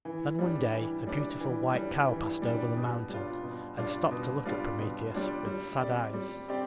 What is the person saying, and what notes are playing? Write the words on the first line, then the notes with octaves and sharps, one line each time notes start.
Then one day a beautiful white cow passed over the mountain, and stopped to look at Prometheus with sad eyes.
E3
G3 D4
E3
G3 D4
E3
G3 D4
E3
G3 D4
B2
G3 D4 F4
B2
G3 D4 F4
B2
G3 D4 F4
B2
G3 D4 F4
G3
C4 G4 D5
G3
C4 G4 D5